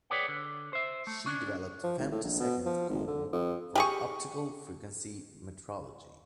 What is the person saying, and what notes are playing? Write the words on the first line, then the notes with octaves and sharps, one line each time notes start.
She developed femtosecond combs for optical frequency metrology.
G#4 B4 C#5 D5 F#5 G5
D3
C5 E5
A3
C#4 D4
F3
G#1
A2
A#1
B2
F3
G#1
D3
F2
G4 G#4 C#6